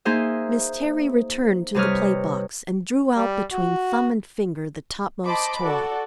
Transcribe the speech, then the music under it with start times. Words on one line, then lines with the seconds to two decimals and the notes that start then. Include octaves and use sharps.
Miss Terry returned to the play box and drew out between thumb and finger the topmost toy.
0.05 A#3 D#4 G#4 C5 E5
1.75 C3 G3 B4 C#5 D#5 F6
3.16 G3
3.53 F#4
5.25 C5 D#5 A5 B5 D6
5.62 F#4 A4 D5